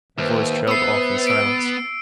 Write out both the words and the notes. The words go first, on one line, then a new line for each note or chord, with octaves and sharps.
The voice trailed off in silence.
D#2 B4 C5 E5
B3 E6 C7
E6 D7